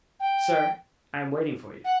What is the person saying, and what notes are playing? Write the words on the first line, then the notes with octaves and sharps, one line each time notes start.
"Sir, I am waiting for you."
G5
F#5